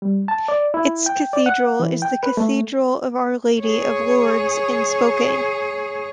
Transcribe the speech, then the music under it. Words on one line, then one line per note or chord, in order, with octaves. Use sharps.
Its cathedral is the Cathedral of Our Lady of Lourdes in Spokane.
G3
A5
D5
E4
G5
D5
F#5
E3
G5
B4
A3
G#4 C#5